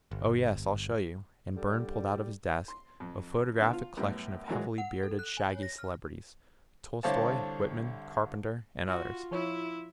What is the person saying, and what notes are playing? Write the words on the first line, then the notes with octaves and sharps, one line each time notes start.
"Oh, yes--I'll show you," and Burne pulled out of his desk a photographic collection of heavily bearded, shaggy celebrities--Tolstoi, Whitman, Carpenter, and others.
G1
D3 G3
C6
F2
D3 B3 E6
F4
F#2 A2 G3 B3
G#2 D#3 E3 F#3 G#3
F#5
A4
F#6
G#5
C#5
A#6
F6
C2 D3 C5 C#5 F5 A5
F4 F#4
F3 E4 C#5